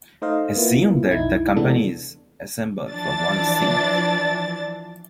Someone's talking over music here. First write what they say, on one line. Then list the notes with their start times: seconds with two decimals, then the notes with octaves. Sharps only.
Assume that the company is assembled for our seance.
0.22 A3 D#4 C5 D#5 F5
0.55 A#3 B3 E4 F4
1.09 B1 F2 D#4 E4 G#6
1.56 C3 E3 G#3 B3 D4 A4
2.91 E3 F3 D4 A6